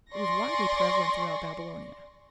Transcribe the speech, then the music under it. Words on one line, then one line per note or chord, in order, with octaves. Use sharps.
It was widely prevalent throughout Babylonia.
D5 G#5 C6 C#6 A#6